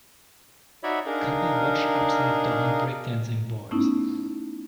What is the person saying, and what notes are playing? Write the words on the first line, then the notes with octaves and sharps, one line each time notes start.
Couple watch upside down breakdancing boys.
D#4 F#4 C#5 D5 E5 B5
D4 D#4 G#4 A#4 F5
A3 B3 C#4 D#4 E4